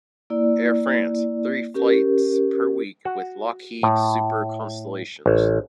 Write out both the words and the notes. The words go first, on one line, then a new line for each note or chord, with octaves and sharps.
Air France - three flights per week, with Lockheed Super Constellations.
A#3 E4 D5
C#4 G4 A#4
F#4
A2
A1